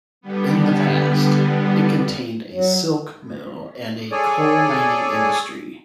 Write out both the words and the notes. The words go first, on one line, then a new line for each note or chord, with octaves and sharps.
In the past, it contained a silk mill and a coal mining industry.
D3 G3 B3
F#3
G#4 A4 C#5 D5 G#5